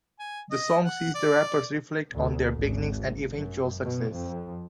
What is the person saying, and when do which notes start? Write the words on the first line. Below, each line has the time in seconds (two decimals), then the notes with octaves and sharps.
The song sees the rappers reflect on their beginnings and eventual successes.
0.20 G#5
0.51 D#5
0.83 F#5
1.15 D5
2.15 D2
2.57 G#1
3.37 F#2
3.82 B2
4.14 F2